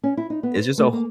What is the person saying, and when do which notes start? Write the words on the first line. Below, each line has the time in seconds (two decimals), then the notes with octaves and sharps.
it's just a wh
0.03 C#4
0.17 E4
0.30 D#4
0.43 B3
0.55 C5
0.78 A3
0.93 A#3